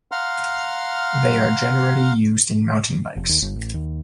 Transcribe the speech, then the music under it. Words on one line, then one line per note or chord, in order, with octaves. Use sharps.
They are generally used in mountain bikes.
F5 F#5 A#5 C6 F6
F1
D#2
G1
A1
D#2